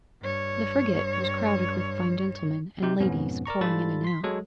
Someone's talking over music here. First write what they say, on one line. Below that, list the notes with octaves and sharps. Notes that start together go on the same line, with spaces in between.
The frigate was crowded with fine gentlemen and ladies pouring in and out.
G2 C#5
C3 D#4 G4 G6
F2 G#2 B2 B3 C#4
A#4 D5 A#5 C#6
G#2 G3 F4 A4 B5 A6
C6 B6
F#3 G#3 F#4 A4 C#5